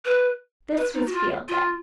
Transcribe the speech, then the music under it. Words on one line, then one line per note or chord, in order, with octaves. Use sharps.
This was Field Day.
B4
B4
D#4
F#4
F4
F4